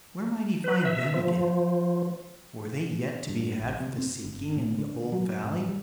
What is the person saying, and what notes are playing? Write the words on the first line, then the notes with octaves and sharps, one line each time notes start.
Where might he find them again? Were they yet to be had for the seeking in the old valley?
B4
E5
F3
G2
A#1
C3
C4
G1
A2
D3
F#3
G#2
G3